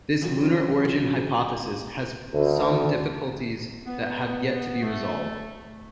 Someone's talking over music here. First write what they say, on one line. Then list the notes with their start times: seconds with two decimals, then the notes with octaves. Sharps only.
This lunar origin hypothesis has some difficulties that have yet to be resolved.
0.22 E3 F#3 C#4 F4
2.34 D2
3.86 B3
4.82 A3